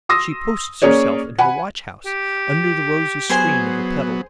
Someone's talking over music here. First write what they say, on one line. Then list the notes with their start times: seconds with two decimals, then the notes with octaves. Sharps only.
She posts herself in her watch-house, under the rosy screen of a petal.
0.09 C6 D#6 E6 A#6
0.82 A#3 C#4 G#4 C#5 D5
1.39 F#5 G#5 B5
2.06 G4
3.30 F#3 B3 G#4 C5 G#5